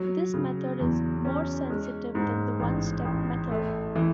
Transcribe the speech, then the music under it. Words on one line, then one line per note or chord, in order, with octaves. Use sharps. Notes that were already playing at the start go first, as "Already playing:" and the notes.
This method is more sensitive than the one-step method.
Already playing: F#3
C#3
E2
C#4
G#3
G#2
A1
A1
A3
E3